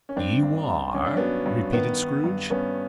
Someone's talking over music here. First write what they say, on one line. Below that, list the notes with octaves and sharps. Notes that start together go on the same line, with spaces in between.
"You are?" repeated Scrooge.
C#4
G2 C4 D4
G2
G2
G2 C#4
D4
F#3 B3 C#4
G2
D#3 B3
D#3
G2
G2 B3 C#4